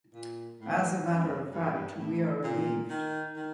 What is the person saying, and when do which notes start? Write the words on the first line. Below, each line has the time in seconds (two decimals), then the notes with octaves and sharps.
As a matter of fact, we are relieved.
0.14 A#2
0.60 A2
1.06 F#2
1.52 G2
1.62 F#2
1.73 G2
1.98 A2
2.43 A#2
2.89 D#3
3.36 D#3